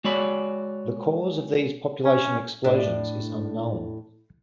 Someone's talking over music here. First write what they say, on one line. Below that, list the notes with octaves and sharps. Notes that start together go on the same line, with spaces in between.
The cause of these population explosions is unknown.
G#3 F#4 C#5 D5 B5
C#4
A2 D4 E5